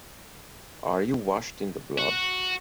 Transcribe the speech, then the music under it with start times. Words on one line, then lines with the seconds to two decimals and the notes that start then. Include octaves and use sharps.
Are You Washed in the Blood?
1.98 F#4